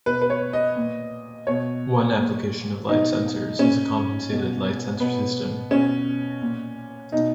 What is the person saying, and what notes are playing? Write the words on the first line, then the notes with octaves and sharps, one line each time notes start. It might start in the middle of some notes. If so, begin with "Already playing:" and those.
One application of light sensors is the compensated light sensor system.
B2 B4
B4
C#5
D#5
A#2
B2 C#5
A#2
B2 D#4
A#2 C#4
B2
B2 B3
B2 C#4
A#2
B2 D#4